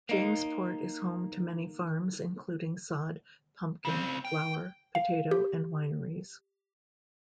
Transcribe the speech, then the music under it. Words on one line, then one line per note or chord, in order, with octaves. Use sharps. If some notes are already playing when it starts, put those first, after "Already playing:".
Jamesport is home to many farms including sod, pumpkin, flower, potato and wineries.
A#3 D#4
C#3 C4
G5
F5
G4